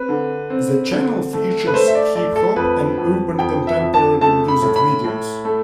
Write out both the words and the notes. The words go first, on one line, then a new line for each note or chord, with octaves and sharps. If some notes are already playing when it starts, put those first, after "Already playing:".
The channel features hip-hop and urban contemporary music videos.
Already playing: C4 B4
D3
C4
D3
A3
B4
A3 C5
E5
D5
A3 D5
A4
F2 B4
F2
F2 G5
E5
F2
A5
A3 A5
B5
A2
B5
A2
A3